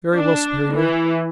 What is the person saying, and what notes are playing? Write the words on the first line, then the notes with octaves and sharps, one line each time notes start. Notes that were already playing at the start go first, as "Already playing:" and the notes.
"Very well, Superior."
D4
E3